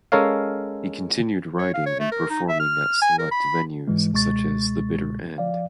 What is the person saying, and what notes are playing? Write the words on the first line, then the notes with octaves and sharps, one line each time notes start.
He continued writing and performing at select venues, such as The Bitter End.
G#3 C#4 A4 A#4 C#5 F5
C#5
F5
C#5
A3
A#4
D#4
E5
F6
G#5
A#4
B5
G#2 E3 G#3
C#2 B2 G#3 C#6 A6
F3 D5 F5